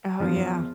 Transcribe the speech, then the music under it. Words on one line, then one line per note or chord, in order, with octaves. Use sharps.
Oh, yeah.
E2 F3
E2